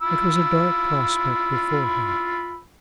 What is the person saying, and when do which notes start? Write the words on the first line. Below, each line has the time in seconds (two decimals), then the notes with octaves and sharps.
It was a dark prospect before her.
0.02 F4 B5 E6